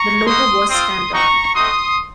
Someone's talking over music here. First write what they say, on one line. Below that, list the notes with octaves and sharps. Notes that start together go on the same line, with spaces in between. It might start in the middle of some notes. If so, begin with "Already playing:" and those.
The logo was stamped on it.
Already playing: A#5 C#6
A#3 D#4 F#4 C6 D#6
A3 C4 F4 C6 D#6
C4 D#4 F#4 A#5 C#6
A3 C4 D#4 F#4 C6 D#6